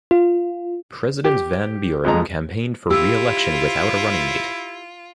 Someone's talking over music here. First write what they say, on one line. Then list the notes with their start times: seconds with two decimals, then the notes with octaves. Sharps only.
President Van Buren campaigned for re-election without a running mate.
0.11 F4
1.24 G4
2.04 F2 G#3 A#5
2.91 E4 F4 G4 E6